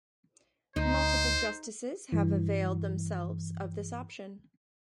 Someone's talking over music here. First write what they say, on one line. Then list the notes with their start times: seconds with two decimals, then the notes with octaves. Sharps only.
Multiple Justices have availed themselves of this option.
0.76 D2 D#4 C5
2.12 G2 E3